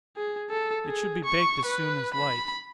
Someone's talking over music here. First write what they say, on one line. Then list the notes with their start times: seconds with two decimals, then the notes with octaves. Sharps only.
It should be baked as soon as light.
0.17 G#4
0.50 A4
0.86 G#4
1.25 C#6
1.65 B4
2.14 B5